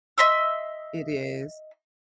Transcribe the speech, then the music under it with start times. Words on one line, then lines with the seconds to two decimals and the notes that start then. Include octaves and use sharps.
It is.
0.18 D#5 E5 C6 E6